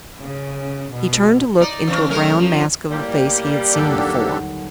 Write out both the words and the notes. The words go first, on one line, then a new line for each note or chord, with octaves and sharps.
He turned to look into a brown mask of a face he had seen before.
C#3
B2
D#4 D5
E3 C#4
F#2 A3 C#4 A#4
F3
A2 G3 A#3
G1 D#2 F#3 D4 G4 A4